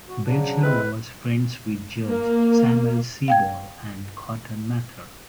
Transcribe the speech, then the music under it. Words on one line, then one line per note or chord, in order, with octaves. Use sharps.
Belcher was friends with Judge Samuel Sewall and Cotton Mather.
F#4
C#3 F#3 D4
G#3 C4 E4 B4
A#3
F5 G5 G#6